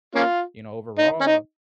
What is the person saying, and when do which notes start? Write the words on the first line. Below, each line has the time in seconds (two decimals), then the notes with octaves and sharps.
you know, overall
0.15 A#3 C#4 F4
0.98 D#4
1.21 C#4
1.26 D#4